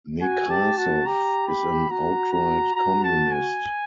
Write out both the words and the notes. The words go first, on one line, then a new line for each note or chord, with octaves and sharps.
Nekrasov is an outright communist...
F#4 G#5
G4 A5
F#4 A5
G4 A#5
B5
F#4 A#5
A#5
F#4 A#5
A5
G#5